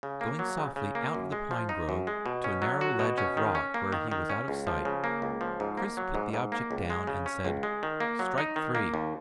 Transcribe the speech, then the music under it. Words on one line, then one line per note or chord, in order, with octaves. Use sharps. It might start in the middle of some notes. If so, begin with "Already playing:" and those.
Going softly out of the pine grove to a narrow ledge of rock where he was out of sight, Chris put the object down and said: "Strike three."
C#3
A#3
F#3
C#3
C#3
A#3
F#2
G#3
F3
D#4
F#2
G#3
B2
C#4
F#3
F#4
B2
C#4
D#3
C#4
A#3
D#3
D#3
C#4
C#2
F3
C#3
A#3
C#2
F3
G#2
A#3
F#3
G#2
G#2
A#3
C#2
G#3
C#3
C#4
C#2
G#3
D#3
A#3
F#3
D#4
D#3
A#3
D#2